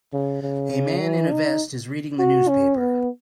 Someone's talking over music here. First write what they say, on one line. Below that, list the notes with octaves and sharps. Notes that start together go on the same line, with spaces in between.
A man in a vest is reading the newspaper.
C#3
C#3
E3
D#4
F#4
C#4
B3